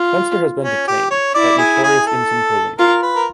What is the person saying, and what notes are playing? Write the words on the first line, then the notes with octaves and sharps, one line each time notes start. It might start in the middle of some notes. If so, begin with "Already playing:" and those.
Fenster has been detained at notorious Insein Prison.
Already playing: F4
C#4
G4
C#5
E4 D5
G#4
G#4
A4
F4 A#4
B4
A#4